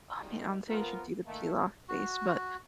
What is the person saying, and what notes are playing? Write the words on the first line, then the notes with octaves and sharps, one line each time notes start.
I mean, I'm say you should do the peel off base, but
F#2 A#2 D#3 G3 G#3 D#4
F3 B3 F4 A#4
D#3 A3 A#3
F#4